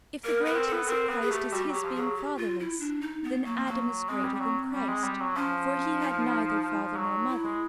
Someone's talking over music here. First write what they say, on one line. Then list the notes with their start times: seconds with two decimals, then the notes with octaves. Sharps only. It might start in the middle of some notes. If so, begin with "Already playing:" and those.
If the greatness of Christ is His being fatherless, then Adam is greater than Christ, for He had neither father nor mother.
0.24 A#3 A#4
0.41 B3 A#4
0.57 C4
0.68 A4
0.73 B3
0.88 C4 A#4
1.09 B3 A#4
1.21 G#4
1.31 A3 G4
1.52 G3 F#4
1.69 F#3 G4
1.85 F3
1.95 G#4
2.01 F#3
2.16 G4
2.37 F4
2.60 E4
2.80 D4
3.01 D#4
3.24 B3
3.45 F#3 A#3
3.57 F3
3.67 F#3 A#3
4.09 G#3 C4
4.25 G3
4.35 G3
4.40 F#3
4.73 G3
4.89 G#3
5.04 G3
5.20 F#3
5.36 F3 C#4
6.01 D#4
6.64 F3
6.97 F#3
7.29 E4
7.44 G#3